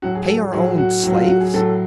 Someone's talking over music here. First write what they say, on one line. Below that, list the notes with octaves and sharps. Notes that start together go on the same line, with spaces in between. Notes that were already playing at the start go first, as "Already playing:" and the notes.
"Pay our own slaves?"
A2 F#3 F#4
G#4
A4
G#4
A2 F#3 G#4
F#4
A2 F#3
F4
F#4
G#4
A2 F#3 A4